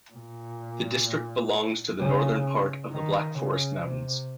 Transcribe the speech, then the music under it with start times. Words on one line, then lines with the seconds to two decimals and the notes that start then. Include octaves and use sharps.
The district belongs to the northern part of the Black Forest mountains.
0.13 A#2
2.00 C#3
2.92 D#3
3.39 C#3
3.86 C3